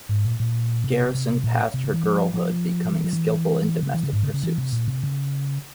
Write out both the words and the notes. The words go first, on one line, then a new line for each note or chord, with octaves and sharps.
Garrison passed her girlhood becoming skillful in domestic pursuits.
G#2
A#2
A#2
C3
C3
A#2
C3
C#3
E3
F3
F3
E3
F3
E3
C#3
E3
C#3
G#2
C#3
C#3
E3
C3
A#2
C3
C#3